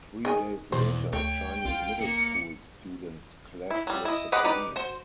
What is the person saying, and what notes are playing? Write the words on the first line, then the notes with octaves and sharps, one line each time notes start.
Three days later, Chinese middle school students clashed with the police.
D#3 G#4 G#5
E2 B2 C5
D2 A3 C#5 G5
C2 F4
A#3 C#7
E4
F#3 G3
E4 D#5
G4 G#4 B4 D#5 F#5
D#4 G4 B4 D5
F#4 C5